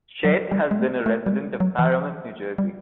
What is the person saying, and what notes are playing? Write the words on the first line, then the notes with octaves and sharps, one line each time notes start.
Chait has been a resident of Paramus, New Jersey.
F#3
G3
G#3
A3
A3
G3
G#3
F#3
E3
F3
G3